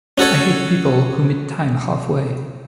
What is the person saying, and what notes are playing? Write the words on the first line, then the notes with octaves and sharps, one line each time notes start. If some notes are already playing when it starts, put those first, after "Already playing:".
I hate people who meet time halfway.
C#4 F#4 A4 C#5